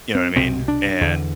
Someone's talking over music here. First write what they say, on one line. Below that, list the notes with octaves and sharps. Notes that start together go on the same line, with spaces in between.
you know what I mean, and
C4
C2 B2 C4
D4
E2 D3